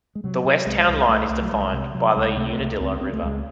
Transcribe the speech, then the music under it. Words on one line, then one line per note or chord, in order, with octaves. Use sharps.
The west town line is defined by the Unadilla River.
G#3
C3 F#3
C3
C2 G#3
C2
C2 A3
C2
F#3
C2 G#3
C3
C3 F#3
C#2 G#3
C3 A3
C#2
C#2 C4
C#2 C4
A3
C#2 G#3